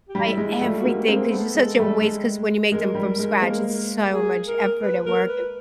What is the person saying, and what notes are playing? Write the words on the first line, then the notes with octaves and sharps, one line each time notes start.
like, everything, 'cause it's such a waste, 'cause when you make them from scratch, it's so much effort, and work, and
G4
G3
E4
G#3
E4
G3 A3 F4
F#4
G#3 A#3
G4
A#3 C4
G#4
A3 B3 A4
G#3
G3 A3
G#3
G#3 A#4
G3
G#3
G#3 A#3
G#4
A#4
B4
A#4
B4